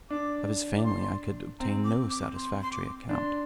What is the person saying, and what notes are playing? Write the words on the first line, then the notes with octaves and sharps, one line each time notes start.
Of his family I could obtain no satisfactory account.
D4 D6
D6
C6
C4 A#5
D6
D6
C6
C6
D6
D4 C6